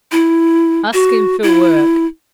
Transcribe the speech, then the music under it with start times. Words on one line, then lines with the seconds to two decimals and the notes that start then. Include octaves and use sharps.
'Asking for work.
0.12 E4
0.94 F#4
1.43 E4